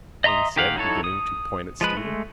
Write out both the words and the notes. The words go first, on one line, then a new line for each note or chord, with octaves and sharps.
Haines said, beginning to point at Stephen.
D#5 E5 A#5 C6 D#6
D#3 G4 F5 F#5
F#3 D#4 E4 A4 C#5
D#6
F3 G#3 B4
G#3 A3